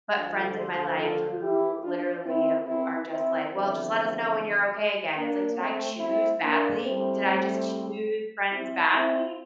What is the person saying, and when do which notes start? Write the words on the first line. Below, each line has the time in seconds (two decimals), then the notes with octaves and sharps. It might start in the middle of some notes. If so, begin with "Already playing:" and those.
but friends in my life who literally ha are just like, "Well, just let us know when you're okay again," it's like, "Did I choose badly, did I just choose friends badly?"
0.16 D2 D3 F3 D4 F4
0.57 A4 C5
0.99 F4 A4
1.41 E4 G4
1.84 D4 F4
2.25 C4 E4
2.66 C4 E4
3.08 C4 E4
3.49 E2 D3 F3 C4 E4
5.17 A#3 D4
5.59 A3 C4
6.00 C4 E4
6.42 A#3 D4
6.83 A2 G3 A3 C4
8.51 C4 E4
8.93 C4 E4